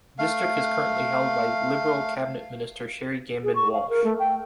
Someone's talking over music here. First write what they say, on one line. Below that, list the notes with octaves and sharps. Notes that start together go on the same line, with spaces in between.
The district is currently held by Liberal Cabinet Minister Sherry Gambin-Walsh.
A3 F5
G#4
C#6
F5
A#4
A3
G5